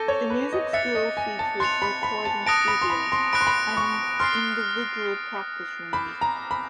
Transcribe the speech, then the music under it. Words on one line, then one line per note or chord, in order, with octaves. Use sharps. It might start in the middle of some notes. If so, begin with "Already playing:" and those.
The Music School features a recording studio, and individual practice rooms.
Already playing: A4 D6 G6 A#6 D#7 G7
C#5
B4
D#5
E5 F#6 A6 C#7 F7
D#5
G#5
A5
C6 F#6 A6 C#7 F7
B5
B5
A5
A5 D#6 F#6 A#6 D7
B5
C6
B5
C6
B5 D#6 F#6 A#6 D7
C6
B5
C#6
C6 F6 A6 C7
F6 A6 C7
B5 D6 G6 C7
A#5
B5